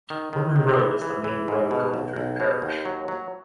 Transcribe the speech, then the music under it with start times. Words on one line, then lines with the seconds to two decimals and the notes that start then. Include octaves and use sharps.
Horton Road is the main road going through the parish.
0.10 D#3
0.33 D#3
0.56 D#3
0.79 E3
1.02 E3
1.24 E3
1.48 G#2
1.71 B2
1.94 B1
2.16 B1
2.40 B2
2.62 D#2
2.85 F#3
3.08 F#3